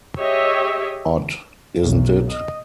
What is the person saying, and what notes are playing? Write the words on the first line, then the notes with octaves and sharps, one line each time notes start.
Odd, isn't it?
G4 G#4 C#5 D#5 E5
B1
D#5